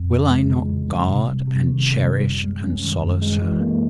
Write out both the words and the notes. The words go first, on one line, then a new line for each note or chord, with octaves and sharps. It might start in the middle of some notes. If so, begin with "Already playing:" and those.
Will I not guard, and cherish, and solace her?
Already playing: F2
E3
G#3
C#3
F2
E3
C3
G3
C3
D#3
C3
G3
F#2
G#3
C#4
D#3
F#2
G#3
E3
A#3